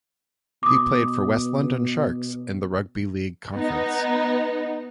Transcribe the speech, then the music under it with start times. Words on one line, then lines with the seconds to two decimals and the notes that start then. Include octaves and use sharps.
He played for West London Sharks in the Rugby League Conference.
0.63 B2 D6 D#6
3.54 B3 D#4